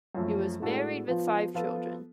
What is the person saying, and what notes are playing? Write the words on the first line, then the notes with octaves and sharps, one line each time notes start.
He was married with five children.
F#2 F3 A3
A2 G#3 D4 F#4 A4
F3 B3 F4
F3 B3 F4 A4